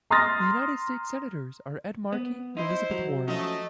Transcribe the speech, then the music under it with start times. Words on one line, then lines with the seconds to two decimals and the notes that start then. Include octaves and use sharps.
The United States Senators are Ed Markey and Elizabeth Warren.
0.10 A#5 C6 D#6 F6 A6 A#6
2.12 B3
2.57 D#4 E4 C5
2.91 F#3
3.28 F3 F#3 A3 C#4 D#5